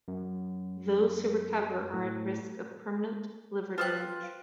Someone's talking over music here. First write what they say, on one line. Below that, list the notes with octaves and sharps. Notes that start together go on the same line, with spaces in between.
Those who recover are at risk of permanent liver damage.
F#2
A2
F4 B4 C5 G5 E6 F#6